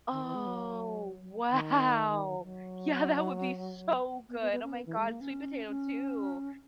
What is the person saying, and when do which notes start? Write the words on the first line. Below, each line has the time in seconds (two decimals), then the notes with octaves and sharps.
Oh, wow. Yeah, that would be so good. Oh, my god. Sweet potato, too.
0.12 D#3
0.24 E3
0.35 G#3
0.47 F#3
1.51 D#3
2.44 F#3
4.29 B3
4.41 B3
4.52 B3
4.63 C#4
4.74 B3
4.86 E3
4.97 G#3
5.09 A#3
5.21 C#4
5.68 C#4